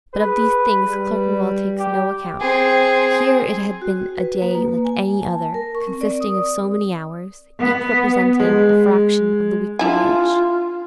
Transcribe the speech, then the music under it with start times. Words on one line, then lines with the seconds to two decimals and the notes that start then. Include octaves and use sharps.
But of these things Clerkenwell takes no count; here it had been a day like any other, consisting of so many hours, each representing a fraction of the weekly wage.
0.14 G#4 B4
0.87 G3
1.78 G4
2.41 C4 G#4
3.82 F#4
4.17 B4
4.42 A#3
4.55 A#3
4.85 G#5
5.22 A5
5.54 A#4
5.75 C#6
5.87 C4
6.01 D5
6.20 D#6
7.59 B3
8.40 G#3
9.79 D4 E4 F4 G#5